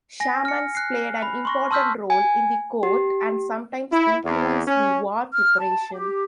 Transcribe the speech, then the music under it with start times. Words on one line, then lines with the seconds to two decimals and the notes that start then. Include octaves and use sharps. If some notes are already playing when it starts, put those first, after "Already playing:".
Shamans played an important role in the court and sometimes influenced the war preparation.
0.20 G#5 A#6
0.45 F6 C#7
0.75 F#6 C7
1.22 B5
1.45 C6 C#6 A#6
1.71 A5 C6 E6 F6 G6 B6
2.10 G#5
2.83 G4
3.91 E4
4.24 E2
4.66 C#4
5.34 F6
5.59 A5
5.91 G4